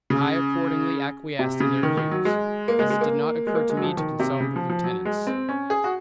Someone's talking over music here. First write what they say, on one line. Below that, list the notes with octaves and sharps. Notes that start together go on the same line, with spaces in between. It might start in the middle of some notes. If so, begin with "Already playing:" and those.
I accordingly acquiesced in their views, as it did not occur to me to consult the lieutenants.
C#3
C3
C#3
D#3
D#3
F#3
G#3
A#3
G#3
G#3
A#3
G#3
A#3
G#3
F#3
F3
D#3
C3
C#3
F3
F3
F#3
G#3
C4
C#4
G#4
F#4